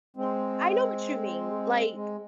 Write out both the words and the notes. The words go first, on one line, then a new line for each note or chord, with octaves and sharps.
n I know what you mean, like
G#3 C4
G#3